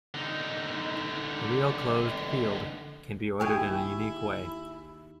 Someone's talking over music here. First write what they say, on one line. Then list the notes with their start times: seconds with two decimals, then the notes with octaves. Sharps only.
A real closed field can be ordered in a unique way.
0.14 D3 D#4
3.40 D#2 E4 G4 G#4 G#5 C#6 G#6